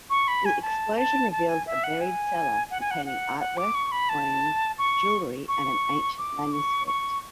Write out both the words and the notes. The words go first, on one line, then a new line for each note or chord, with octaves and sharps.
The explosion reveals a buried cellar containing artwork, coins, jewellery and an ancient manuscript.
C#6
B5
G#5
A5
A5
A5
G#5
E5
F#5
G#5
F#5
G#5
F#5
F#5
F#5
D6
C#6
B5
A5
C#6
C#6
D6
C#6
C#6